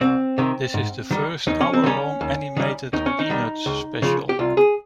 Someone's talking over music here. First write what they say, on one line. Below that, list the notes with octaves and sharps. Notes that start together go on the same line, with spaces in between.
This is the first hour-long animated "Peanuts" special.
C2 C4
C3 D#3
G#2
D#3 G3
D#2 D#4
C#4
C4
D#3 G3 C#4
D#2
D#3 G3
D#2 D#4
C#4
D#4
D#3 G3
C#2
C#3 F3
G4
C2 F4
G#4